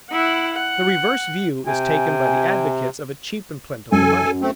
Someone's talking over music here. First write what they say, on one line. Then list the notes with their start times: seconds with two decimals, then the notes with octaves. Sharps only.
The reverse view is taken by the advocates of a cheap and plentiful money.
0.10 E4 F#5
0.53 F#5
1.66 C3 G5 G#5
3.92 F#2 A4 G#5
4.42 A3 C4